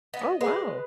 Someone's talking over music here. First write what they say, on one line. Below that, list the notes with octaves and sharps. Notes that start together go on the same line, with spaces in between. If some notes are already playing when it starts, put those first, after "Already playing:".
Oh, wow.
B3 D#5
G#3 B4